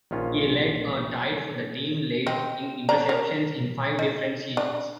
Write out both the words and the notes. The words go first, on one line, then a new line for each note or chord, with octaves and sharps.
He led or tied for the team lead in interceptions in five different seasons.
A#1 D#3 C#4 F4
C4 D#5
C#4 D4 A#5
A#4
D#4
D4